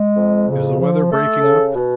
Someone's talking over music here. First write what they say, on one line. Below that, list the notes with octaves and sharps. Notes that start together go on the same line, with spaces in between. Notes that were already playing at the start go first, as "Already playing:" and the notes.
Is the weather breaking up?
Already playing: G#3
F2
C#3
F3
A3 A4
C#3
B2